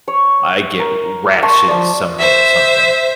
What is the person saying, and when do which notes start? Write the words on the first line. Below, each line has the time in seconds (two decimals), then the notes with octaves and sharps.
I get rashes somewhere or something.
0.08 C#5
0.80 A#4
1.42 A5 C6 C#6
1.68 F3 D5
2.19 C5 E5